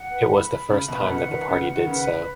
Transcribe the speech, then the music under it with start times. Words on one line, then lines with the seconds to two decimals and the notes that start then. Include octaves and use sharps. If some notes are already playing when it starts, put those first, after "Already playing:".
It was the first time that the party did so.
Already playing: F#5
0.09 B4
0.30 B5
0.49 B5
0.69 C#3 B5
0.88 B2 B4
1.02 B2
1.08 C#3 F#5
1.27 D#3 B4
1.48 C#3 F#5
1.67 F#5
1.76 D#3
1.87 C#3 B4
2.07 B5